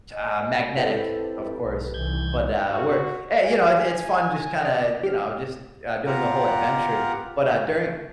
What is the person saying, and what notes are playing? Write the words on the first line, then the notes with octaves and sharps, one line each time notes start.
ch uh, magnetic, of course, but, uh, we're Eh, you know, it it's fun just kinda, you know, just, uh, doing the whole adventure, but, uh, during
D#5
C4 E4 G4 A4 B4
B1
C2 D#3 E3 G6 G#6
F#4
G#5
D5 D#5
G4 F6
B3 F4 G4 A#4 F#5 A#5
A3